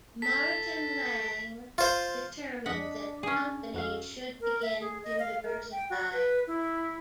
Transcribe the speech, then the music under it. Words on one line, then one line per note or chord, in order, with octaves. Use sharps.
Martin Laing determined that the company should begin to diversify.
A4 B6
F4 C5
F2 D4 D#5 F#5 B6
C#4 G#4
F2 F#4 A4 F5
A#4
E5
G#4
D#5
F5
A#4
G5
F#4
B4
E4